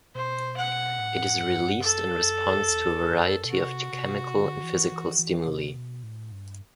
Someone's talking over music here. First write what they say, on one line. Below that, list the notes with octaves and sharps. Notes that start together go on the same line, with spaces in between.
It is released in response to a variety of chemical and physical stimuli.
B2 C5
F#5
A2
G2
F#2 A4
E2
F#2
E2
F#2
B2
C3 F#4
C3
D3
E3
E3
E3
C3
B2
A2
G2